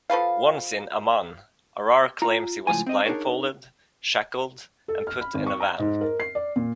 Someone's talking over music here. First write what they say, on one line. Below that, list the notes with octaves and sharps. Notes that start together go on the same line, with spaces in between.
Once in Amman, Arar claims he was blindfolded, shackled and put in a van.
F3 A4 B4 F5
F4 A#5
C#2 A2 C3 F3 G#5
C4 D#5
D4 D#4 G#4 A#4 C#5
A4
F6
B5
G#1
C#6
A#5
G#2
A#4
C7
D5
A#2